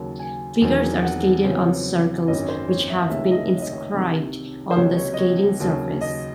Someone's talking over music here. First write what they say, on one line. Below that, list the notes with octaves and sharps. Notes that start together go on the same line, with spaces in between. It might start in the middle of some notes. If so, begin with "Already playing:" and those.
Figures are skated on circles, which have been inscribed on the skating surface.
Already playing: D#2 C#3 F#3
G#5
E1 E2 D#3 F#3 C4
F#5
E2 C#3 F#3 C4
G#1 F#2 D#3 F#3 C#4 D#5
C#5
C5
C#5
E5
C#2 C3 D#3 A3 C#4 E5
D#5
C#5
D#5
C#5
C2 C3 D#3
C5
C#2 C3 F#3 C#5
C#5
D#5
C#5
D#2 C#3 F#3
D#5